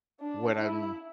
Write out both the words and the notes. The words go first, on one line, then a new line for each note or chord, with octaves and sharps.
when I'm,
D4
E4